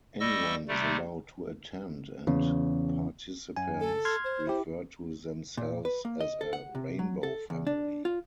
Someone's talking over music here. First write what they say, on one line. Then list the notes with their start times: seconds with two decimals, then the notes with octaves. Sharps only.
Anyone is allowed to attend and participants refer to themselves as a "Rainbow Family".
0.20 G3 D#5 C#6 E6 A#6
0.68 C3 G3 A3
2.27 E2 C#3
3.56 F#2 G#5
3.80 A4
4.05 C6 F6 G#6
4.24 C5
4.47 E4 G4
5.57 A#2
5.85 B4
6.05 A#3
6.21 D#5
6.41 A4
6.53 F#5
6.75 C3
6.99 F#3
7.23 A4
7.50 E2
7.67 D4
8.05 F4